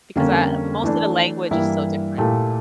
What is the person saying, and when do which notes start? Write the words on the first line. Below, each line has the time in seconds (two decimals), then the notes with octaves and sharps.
because I most of the language is so different.
0.16 F2 D3 G3 A#3 C#4
0.84 E3 A3 D4
1.51 G2 E3 G3 A#3 E4
2.18 A#2 A3 E4 G4